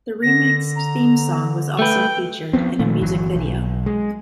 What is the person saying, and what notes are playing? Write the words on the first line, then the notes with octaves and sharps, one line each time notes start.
The remixed theme song was also featured in a music video.
D3 A#6
A#5
A3 B4 G5
F3 G3 B3 C4
A#2 D#3 A3
G1 E3 F#3
B1
G#3